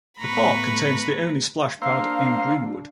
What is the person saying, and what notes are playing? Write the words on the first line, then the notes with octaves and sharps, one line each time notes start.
The park contains the only splash pad in Greenwood.
A2 A3 B3 B4 A#5 B5 C#6
A#3 D4 C5 F5 E6 C7